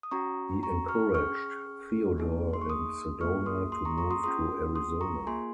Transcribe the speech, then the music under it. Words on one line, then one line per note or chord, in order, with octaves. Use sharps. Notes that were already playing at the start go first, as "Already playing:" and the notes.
He encouraged Theodore and Sedona to move to Arizona.
D#6
C#4 F#4 A#5 C#6
A#5 C#6
C#6 F6
C#4 G#4 C#6 F6
A#3 D#4 G#4
C6
C#6
C6 D#6
A#3 F4 G#4 C#6 F6
C6 D#6
C6 D#6
A#5 C#6
A#5 C#6
C6 D#6
C#4 F4 G#4 C6 D#6
C6 D#6
A#5 C#6
A#3 F4 G#4 G#5 C6